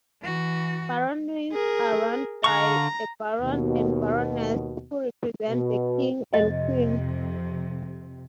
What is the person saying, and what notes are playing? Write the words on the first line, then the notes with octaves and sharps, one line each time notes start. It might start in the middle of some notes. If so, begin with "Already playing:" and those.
Baronies are run by a baron and baroness, who represent the king and queen.
E3 F#4
G#4 A#4
D3 F5 A#5 C#6
D#2 B2
B2
F2 C3 D#5